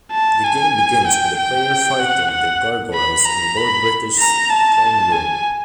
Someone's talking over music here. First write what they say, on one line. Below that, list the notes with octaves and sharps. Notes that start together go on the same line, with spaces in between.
The game begins with the player fighting the gargoyles in Lord British's throne room.
A5
G#5
G5
G5
F#5
F#5
B5
A#5
B5
A#5
A5
G#5